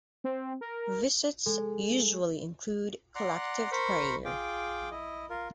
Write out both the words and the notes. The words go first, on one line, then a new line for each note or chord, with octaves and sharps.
Visits usually include collective prayer.
C4
A#4
G#3 A4
D5 F#5 A#5 C6 F#6
A#4 C5 B5 C#6
F4 G#4 G5 D6
E4 D#5
F4 A#4